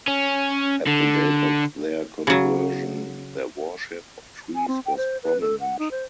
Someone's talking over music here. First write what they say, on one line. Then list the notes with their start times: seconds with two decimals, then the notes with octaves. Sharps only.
At the date of their conversion, their worship of trees was prominent.
0.08 C#4
0.87 D3
2.27 C#3 F#3
4.55 G#5
4.68 C4
4.86 G5
4.97 C5
5.23 B4
5.41 A4
5.60 F#5
5.79 D#4
5.91 C5